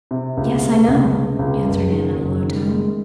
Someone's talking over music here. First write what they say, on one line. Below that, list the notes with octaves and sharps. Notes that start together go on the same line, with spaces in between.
"Yes, I know," answered Anne in a low tone.
C3
C#2
C3
C#2
C3
C#2
F#1
D#3
F#1
D#3
G#3